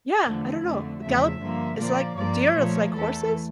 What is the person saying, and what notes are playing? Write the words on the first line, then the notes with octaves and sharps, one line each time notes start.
Yeah, I don't know. Gallop is like deer is like horses.
E2 D3 F3 A3
F2 D3 A3
E2 C#3 F3 A3 E5
G2 D3 F3 A#3
A#2 F3 A#3 D5
G2 F3 A#3 D5
A#2 F3 A3 C#5
E2 E3 A3 A4